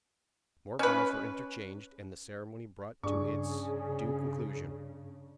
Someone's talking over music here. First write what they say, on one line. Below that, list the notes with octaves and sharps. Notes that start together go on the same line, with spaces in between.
More bows were interchanged and the ceremony brought to its due conclusion.
C#4 B4
G2 C#3 D4 G#4 C#6